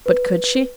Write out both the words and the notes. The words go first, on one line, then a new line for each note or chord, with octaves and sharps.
But could she?
B4